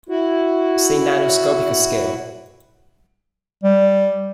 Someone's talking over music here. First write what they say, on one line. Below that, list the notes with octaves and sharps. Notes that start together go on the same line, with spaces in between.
See nanoscopic scale.
E4 F#4
G3